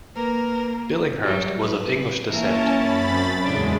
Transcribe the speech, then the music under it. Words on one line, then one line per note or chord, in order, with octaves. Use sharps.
Billinghurst was of English descent.
A#3 A#4 B4
F#3 G3
B4
E3 A#3 C#4 A#4 A5
F#2 B5 A6
C4
E2 A2 C#3 G#3 D4